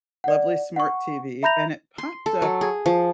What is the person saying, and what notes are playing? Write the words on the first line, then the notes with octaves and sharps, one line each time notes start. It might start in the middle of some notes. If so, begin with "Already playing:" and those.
lovely smart TV and it popped up
D5 F#5
F#5 C#6
E5 A#5 B5 G6 A#6 F7
C6
A4
F#3
G#4
F3